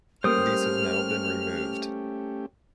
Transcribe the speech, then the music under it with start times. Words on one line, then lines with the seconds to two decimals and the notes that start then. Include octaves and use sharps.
These have now been removed.
0.24 G3 A3 A#3 C#4 G4 C5 D#6 F6